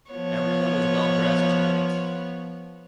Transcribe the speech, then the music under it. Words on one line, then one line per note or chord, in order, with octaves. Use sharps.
Everyone is well dressed tonight.
F3 B3 C#5